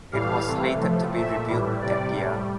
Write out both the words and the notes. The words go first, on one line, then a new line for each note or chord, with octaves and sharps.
It was slated to be rebuilt that year.
A2 E3 G3 F5
C3 E3 A3
A2 F3 A3
A#2 A3 E5
A2 E3 G3
C3 G3 D5
A2 G3